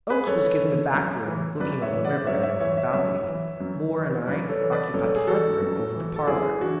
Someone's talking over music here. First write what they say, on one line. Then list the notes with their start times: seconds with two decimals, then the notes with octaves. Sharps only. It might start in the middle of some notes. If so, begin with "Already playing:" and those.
Oakes was given the back room looking on the river, and over the balcony; Moore and I occupied the front room, over the parlor.
0.10 G#4 B4
0.26 F#2 A4 C#5
0.60 E3
0.94 F#2
1.28 E3
1.60 F#2 B4 D5
1.82 C#5 E5
1.94 E3
2.05 D5 F#5
2.27 F#2 C#5 E5
2.43 C#5 E5
2.60 E3 C#5 E5
2.77 C#5 E5
2.93 F#2 C#5 E5
3.27 E3
3.60 F#2
3.94 E3
4.27 F#2 B4 D5
4.49 A4 C#5
4.61 E3
4.71 B4 D5
4.94 F#2 A4 C#5
5.16 G#4
5.27 E3 F#4 A4
5.61 F#2
5.94 E3
6.16 A4
6.27 F#2 E4 G#4
6.61 E3 D4 F#4